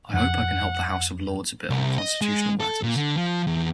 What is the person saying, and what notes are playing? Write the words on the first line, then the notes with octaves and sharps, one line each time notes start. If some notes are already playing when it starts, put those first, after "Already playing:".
I hope I can help the House of Lords a bit on constitutional matters.
F2 F#5
C2
D#5
G#3
A4
A#2
D3
F3
E2